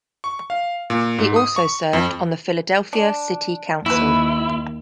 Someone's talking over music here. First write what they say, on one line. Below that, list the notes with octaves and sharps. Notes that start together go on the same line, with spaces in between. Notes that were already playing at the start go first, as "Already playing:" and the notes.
He also served on the Philadelphia City Council.
C#6
F5
A#2
G#2
D#6
C#6
F2
D4
D#2 E4 F#4 B4